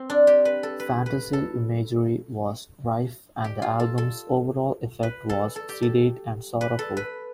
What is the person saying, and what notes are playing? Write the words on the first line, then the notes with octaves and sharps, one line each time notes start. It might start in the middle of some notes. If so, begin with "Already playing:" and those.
Fantasy imagery was rife and the album's overall effect was sedate and sorrowful.
Already playing: C4
D4
G4
B4
A4
B4
B4
A4
G4
F4
A4
A4
B4
A4
A4
G4
A4
B4
A4
B4